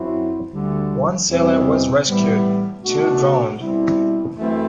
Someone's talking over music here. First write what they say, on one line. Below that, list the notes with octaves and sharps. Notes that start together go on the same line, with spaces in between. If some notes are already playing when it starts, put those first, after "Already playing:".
One sailor was rescued; two drowned.
Already playing: F#2 F#3 C4 E4
D2 D3 G3
E2 B2 G3 C4
A2 E3 G3 B3
B2 A3 D4 F#4
B2 G3 C4 E4
F#2 E3 A3 C4 E4